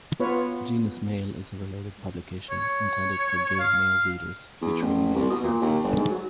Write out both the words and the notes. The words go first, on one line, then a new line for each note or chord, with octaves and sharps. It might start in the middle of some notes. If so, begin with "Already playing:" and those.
Genus Male is a related publication, intended for gay male readers, featuring male characters.
B3 F4 B4 C#5
C#5
F5
E2
A1
C2
B2
A#2
D#2
G1
G#2
F#3